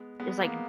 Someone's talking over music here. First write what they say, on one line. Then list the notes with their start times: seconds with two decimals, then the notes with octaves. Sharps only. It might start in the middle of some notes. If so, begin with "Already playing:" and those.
it's like
Already playing: G#3 B3
0.20 G#3 B3
0.41 A#3